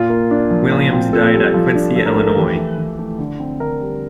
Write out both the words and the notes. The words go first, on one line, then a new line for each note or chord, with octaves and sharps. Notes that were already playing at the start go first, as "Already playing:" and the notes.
Williams died at Quincy, Illinois.
Already playing: A#2 F4
A#3
D4
F3
A#2
C4
F4 A4
G3
F3
D4
F3 A4
A#4
A3
A#4
E3 G4
E4
E3
A3
D3
C4
D3 A#4
G3